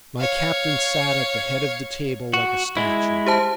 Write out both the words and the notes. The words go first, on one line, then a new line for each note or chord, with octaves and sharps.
My captain sat at the head of the table like a statue.
C#5 F5
F#4
G#3 E4
G4 C5 A5